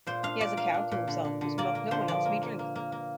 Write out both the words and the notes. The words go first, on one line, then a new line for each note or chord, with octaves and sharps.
He has a cow to himself whose milk no one else may drink.
A#2 C5
D4 F5
A#2 D5
A#3 F5
D4
A#2
D3
D3
D3
A#3 D5
A#3
D3 C5
F3 D5
A#3
A#3
A#3
A#3
A#3